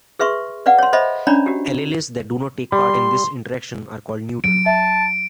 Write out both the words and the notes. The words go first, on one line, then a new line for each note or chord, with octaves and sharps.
Alleles that do not take part in this interaction are called neutral.
G#4 B4 E5 C6 C#6
B4 D5 F5 F#5
C#5 C6
A4 C5 D#5 E5 B5
C#4 D4 C#5 D5 A#5 B5
F#4 G4
G3 C6
F#3 D7
E5 A5